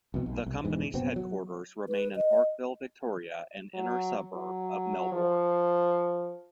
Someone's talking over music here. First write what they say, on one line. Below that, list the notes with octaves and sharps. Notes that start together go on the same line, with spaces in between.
The company's headquarters remain in Parkville, Victoria, an inner suburb of Melbourne.
C2 F2 B2
B1
C2
E1 G#2 E3
F#1 B2 B3 C4
F#3
B4
D#5
F#3
F#3
F3